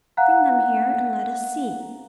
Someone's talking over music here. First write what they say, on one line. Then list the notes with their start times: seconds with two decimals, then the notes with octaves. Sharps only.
Bring them here, and let us see.
0.17 F5 F#5 A#5 F#6